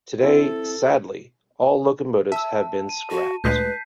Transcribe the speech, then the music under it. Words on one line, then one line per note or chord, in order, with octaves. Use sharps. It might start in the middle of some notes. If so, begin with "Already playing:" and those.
Today Sadly all locomotives have been Scrapped.
C4 E4 A4
E5 A5 E6
D#7
F#4
D2 A#2 G#3 B4 G6 B6 C7